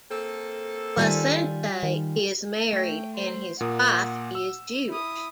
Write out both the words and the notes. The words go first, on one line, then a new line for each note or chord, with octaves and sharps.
Placente is married and his wife is Jewish.
A#3 C4 A4
D#3 G3 F4 G#5
D#3
A3 G5
C5
A#2 A#3 F#5 D#6
E6
E4 D#6